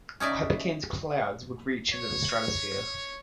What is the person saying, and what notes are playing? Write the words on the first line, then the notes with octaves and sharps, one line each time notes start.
A hypercane's clouds would reach into the stratosphere.
C#4 D#4 D5 E5
C#5